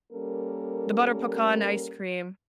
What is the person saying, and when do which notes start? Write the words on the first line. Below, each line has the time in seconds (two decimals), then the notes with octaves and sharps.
the butter pecan ice cream.
0.12 G3 A#3 C#4 A4 A#4